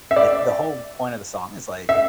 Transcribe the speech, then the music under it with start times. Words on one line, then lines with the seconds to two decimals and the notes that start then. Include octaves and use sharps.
i the whole point of the song is like,
0.11 E5
0.16 D5
1.89 E5